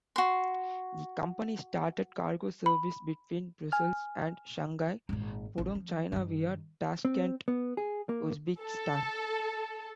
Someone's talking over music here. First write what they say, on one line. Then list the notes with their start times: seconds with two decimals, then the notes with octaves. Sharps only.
The company started cargo service between Brussels and Shanghai Pudong, China via Tashkent, Uzbekistan.
0.16 F#4 C6
2.66 B5
3.72 G#5 F6
5.09 G#1 A#2
5.58 A1
5.75 F3
6.12 G2 D#3
7.05 C4
7.48 B3
7.77 G#4
8.09 A#3
8.61 A4